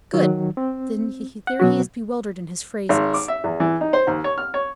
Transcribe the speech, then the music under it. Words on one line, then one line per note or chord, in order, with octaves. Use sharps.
"Good! there he is bewildered in his phrases."
D#3 F#3
C4
F#5
B2 F#3 F#4
G#1
D6
E5
E2
E3
D#4
C5
D#2
C#5
F6
C#5